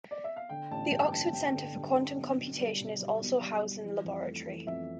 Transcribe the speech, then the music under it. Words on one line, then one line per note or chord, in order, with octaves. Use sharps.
The Oxford Centre for Quantum Computation is also housed in the laboratory.
D5
E5
F5
D3 G5
A1 A5
G2 G5
D3 A5
G2 G5
D3
G2
D3
B1
B1
G3
B2
G3
B1
G3
G3
E3
F2
A3
E3
F2 E5